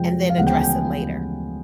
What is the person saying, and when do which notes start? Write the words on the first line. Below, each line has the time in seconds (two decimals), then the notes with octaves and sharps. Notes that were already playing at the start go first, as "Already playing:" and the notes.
and then address it later.
Already playing: F2 C3 F3 G#3 G5
0.30 F5
0.38 D2 C#3 E3 G#3 B3 F#5
0.47 G5
0.55 G#5
0.64 G5